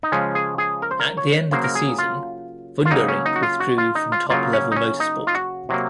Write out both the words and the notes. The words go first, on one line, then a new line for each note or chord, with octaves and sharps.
At the end of the season, Wunderink withdrew from top-level motorsport.
D#4
C#3 F3 G#3 C#4
G#4
G#4
A#4
C5
A#4
C#5
C#3 F#3 A#3 C5
A#4
G#4
F4
F4
C#3 F#3 A#3 D#4
C#4
D#4
F#4
F4
F#4
F4
D#4
F4
C#3 F#3 A#3 F4
C#4
D#4
C#4
D#4
F4
F#4
C3 F#3 A#3